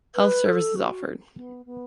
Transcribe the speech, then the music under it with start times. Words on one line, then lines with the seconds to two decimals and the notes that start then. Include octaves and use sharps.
Health service is offered.
0.15 B4
0.46 A4
0.76 F#4
1.36 B3
1.66 B3